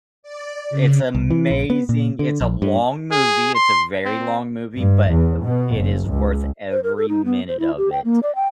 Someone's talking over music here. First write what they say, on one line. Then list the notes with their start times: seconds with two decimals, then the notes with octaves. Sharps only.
It's amazing! It's a long movie, it's a very long movie, but it w it is worth every minute of it,
0.23 D5
0.70 C#3
1.15 C2
1.30 E3
1.51 A#1
1.70 B3
1.89 A#2
2.19 D3
2.41 A#1
2.62 G2
3.11 G#4
3.55 C6
4.05 C4
4.76 G2
5.09 E2
5.43 B2
5.76 F#1
6.09 C#2
6.71 C5
6.84 A#4
6.97 A4
7.09 D#4
7.25 B3
7.48 C5
7.59 E4
7.78 G4
7.92 G5
8.04 A#3
8.23 D5
8.35 G5